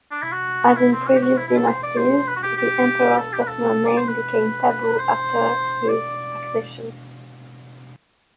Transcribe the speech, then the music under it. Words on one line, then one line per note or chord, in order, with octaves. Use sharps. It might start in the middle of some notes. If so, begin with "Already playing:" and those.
As in previous dynasties, the emperor's personal name became taboo after his accession.
D4
E4
F#4
E4
C4
F#4
G4
F#4
E4
E4
A4
C5
D5
C5
B4
F#4
G4
G4
A4
G4
B4
A4
D5
C5
B4
C5
D5